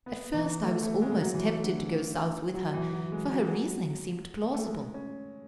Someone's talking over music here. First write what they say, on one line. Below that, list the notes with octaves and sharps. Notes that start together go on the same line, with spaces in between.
At first I was almost tempted to go South with her, for her reasoning seemed plausible.
B3
E3
A3
A3
G#3
G#3
F#3
E3
A3
D3
E3
F#3
E3
F#3
G#3
F#3
G#3
F#3
A3
G#3
C#4